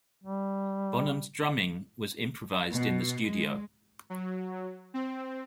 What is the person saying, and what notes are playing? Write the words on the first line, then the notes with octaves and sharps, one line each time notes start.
Bonham's drumming was improvised in the studio.
G3
B2
G#3
F#3
C4